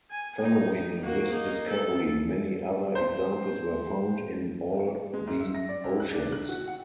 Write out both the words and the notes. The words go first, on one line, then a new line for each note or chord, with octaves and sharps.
Following this discovery many other examples were found in all the oceans.
G#5
D#4
A#3 F#4
A#3 D#4
A4
C5
G#3
G#2
E5
A#6
D5
C#2
F#6
D4
F#6
F#4
F#5